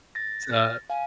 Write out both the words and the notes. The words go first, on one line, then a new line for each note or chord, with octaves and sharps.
It's odd.
A6 A#6
F6
F5 G#5